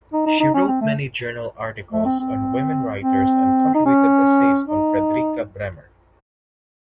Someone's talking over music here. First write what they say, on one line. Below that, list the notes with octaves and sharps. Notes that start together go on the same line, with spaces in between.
She wrote many journal articles on women writers and contributed essays on Fredrika Bremer.
D#4
D#4
D#4
C#4
C4
A3
A3
C4
C4
C4
D#4
C#4
D#4